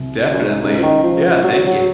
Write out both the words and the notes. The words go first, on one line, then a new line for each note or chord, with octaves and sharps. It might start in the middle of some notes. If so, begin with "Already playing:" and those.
Definitely. Yeah, thank you.
Already playing: C2 C3 F#3
F#2
G#2
C#2 G#2 C#3 G#3
F3
D#3
F3
F#3
F#3